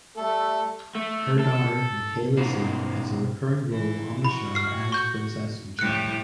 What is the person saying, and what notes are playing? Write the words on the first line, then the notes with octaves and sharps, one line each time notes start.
Her daughter Michaela Zee has a recurring role on the show as Princess Jun.
G3 A3 A4
A3
A4
B2 D#4 C5
E3
F#4 B5
F6 C7
C#6 G6
A2 G3 F#6 C#7